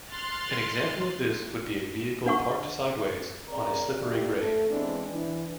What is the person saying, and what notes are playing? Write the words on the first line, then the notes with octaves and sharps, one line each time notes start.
An example of this would be a vehicle parked sideways on a slippery grade.
C6 F6 F#6 A6
D4 F#5 C#6
C#3 C4 A#4 C#5 D5 A#5
A3 A#3 D4 G4
A3 A4
E3 G#3 B3 C4 D4
E3 D4